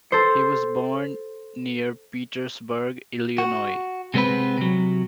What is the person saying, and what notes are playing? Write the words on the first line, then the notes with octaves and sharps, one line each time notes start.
He was born near Petersburg, Illinois.
A4 C5 C#7
F#4
C3 G#3 B3 C4 B4
C3 F#3